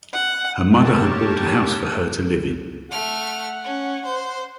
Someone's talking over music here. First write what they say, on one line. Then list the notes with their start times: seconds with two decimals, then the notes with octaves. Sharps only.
Her mother had bought a house for her to live in.
0.13 F#5
0.76 A#3 G4 A#4 C#5 A5
2.91 A3 F#5 F6
3.64 C#4
4.05 C5